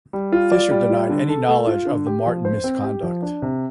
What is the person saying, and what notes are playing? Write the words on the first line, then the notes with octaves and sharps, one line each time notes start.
Fisher denied any knowledge of the Martin misconduct.
G3
F4
D5
G3
F4
D3
A4
A3
F4
D3
G4
F3
C5
C4
G4
F3
D4
C3